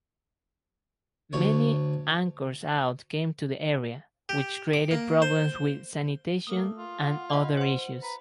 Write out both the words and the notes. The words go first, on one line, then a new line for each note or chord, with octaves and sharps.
Many anchor-outs came to the area, which created problems with sanitation and other issues.
D2 C#5
G4
D6
A#3
C5
A3 A#3 D#6
F4
F#5
D#5 F#5 B5
C5 F#5 C6
B4 A#5